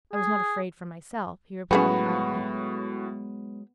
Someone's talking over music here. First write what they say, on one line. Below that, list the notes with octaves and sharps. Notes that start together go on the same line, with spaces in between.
"I was not afraid for myself," he replied quietly.
G#4
A2 F#3 G#3 B3 C#4 F#4 G#4 G5